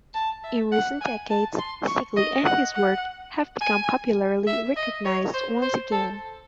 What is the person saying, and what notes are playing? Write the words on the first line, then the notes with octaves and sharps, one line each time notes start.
In recent decades, Stickley and his work have become popularly recognized once again.
A5
E5
F#5
G#5
A5
C6
C#6
D#5
F#5
F#5
G#5
E5
D#5
C#5
C5
C5
A4